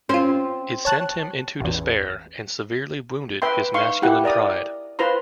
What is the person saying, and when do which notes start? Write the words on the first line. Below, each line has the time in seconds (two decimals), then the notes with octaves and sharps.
It sent him into despair and severely wounded his masculine pride.
0.09 C4 C#4 F4
0.85 C#5 A5 F#6
1.60 A1 E2
3.42 B4 E5 G5 C6
3.74 D#4 F5 C6 C#6
4.02 E4 G4 F#5
4.24 A#4 D5 A#5 D#6
4.99 F4 B4 C5 A#5 C6